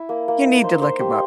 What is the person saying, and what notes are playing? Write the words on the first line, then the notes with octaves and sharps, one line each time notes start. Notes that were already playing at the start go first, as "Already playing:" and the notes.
You need to look him up.
Already playing: E4
A#3
A#3
D#4
C5
C5
G4